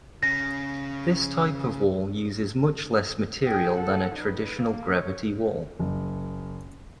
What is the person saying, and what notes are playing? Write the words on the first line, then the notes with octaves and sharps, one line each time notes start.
This type of wall uses much less material than a traditional gravity wall.
C#3 A#6
G#4 G5
A4 F#5
D#4 B4
A#3
C#5
F#1